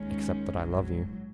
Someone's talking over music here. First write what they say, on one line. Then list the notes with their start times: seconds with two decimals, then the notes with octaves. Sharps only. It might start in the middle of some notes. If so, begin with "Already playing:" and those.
"Except that I love you."
Already playing: D#2 D#3 G#3 C#4
0.52 A#1 G#2 F#3